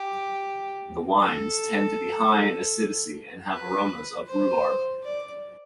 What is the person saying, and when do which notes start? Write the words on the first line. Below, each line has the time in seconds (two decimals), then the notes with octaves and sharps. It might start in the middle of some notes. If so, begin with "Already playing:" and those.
The wines tend to be high in acidity and have aromas of rhubarb.
Already playing: G4
1.20 A4
3.50 B4
4.27 C5
5.03 D5